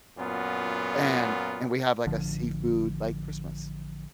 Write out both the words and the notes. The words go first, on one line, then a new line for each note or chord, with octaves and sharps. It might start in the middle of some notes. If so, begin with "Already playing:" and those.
And and we have like a seafood, like, Christmas.
F#2 A#2 B3 F4
A1 D3 F3